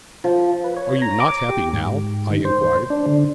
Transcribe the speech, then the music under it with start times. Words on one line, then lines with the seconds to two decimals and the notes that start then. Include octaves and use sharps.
"Are you not happy now?" I inquired.
0.24 F3
0.64 B4
0.76 C#5
1.02 A#5
1.20 D6
1.49 G4
1.73 G#2
2.30 D#3
2.45 C5
2.90 D4
3.06 D3